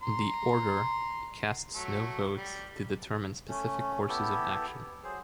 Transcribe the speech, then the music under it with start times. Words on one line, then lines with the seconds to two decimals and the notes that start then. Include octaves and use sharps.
The Order casts no votes to determine specific courses of action.
0.02 A#5 C6
1.74 F#3 A3
2.36 G3
3.48 A3 C#4
4.08 B3 E4 G4 A4
5.04 F#3 G#4 C5